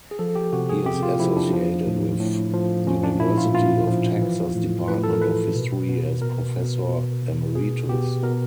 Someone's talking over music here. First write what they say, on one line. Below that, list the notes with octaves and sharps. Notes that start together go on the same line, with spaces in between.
He is associated with University of Texas’ Department of History as Professor Emeritus.
G#4
F3 A4
G4
C3 F#4
G#4
C3 G4
F4
F3 E4
D4
F3
A2
A2
F3
F3 C#4
D4
A#2 E4
F4
A#2 F4
F3
E3
A2
A2 B4
A4
A#4
E3 B4
B2
B2
B2 A#4
B2
B2
B2
B2 G#4
B2 G4
B2 A#4